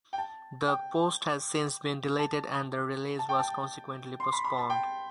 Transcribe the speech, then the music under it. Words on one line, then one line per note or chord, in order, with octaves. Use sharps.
The post has since been deleted and the release was consequently postponed.
G5
A5
G5
A5
A5
G5
A5
C6
B5
B5
A5
G5